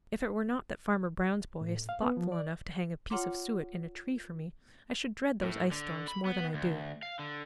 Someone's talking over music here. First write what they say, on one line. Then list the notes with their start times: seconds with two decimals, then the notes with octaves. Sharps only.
If it were not that Farmer Brown's boy is thoughtful enough to hang a piece of suet in a tree for me, I should dread those ice storms more than I do.
1.61 A2
1.89 F5
2.02 B3
2.17 F3
2.32 D5
3.10 F4 C#5 F#5 A#5 C6 D6
5.42 A2
5.72 D3
6.08 B5
6.25 B3
6.54 D2
7.03 F5
7.19 D3